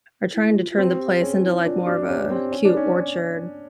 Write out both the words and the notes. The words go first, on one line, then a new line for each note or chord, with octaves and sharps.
are trying to turn the place into like more of a cute orchard.
E4
F4
F4
C4 F#4
G4
C#4 G#4
E4
D4 F4
D4 F#4
C#4 G4
C4 G4
C#4
D4
C#4 D#4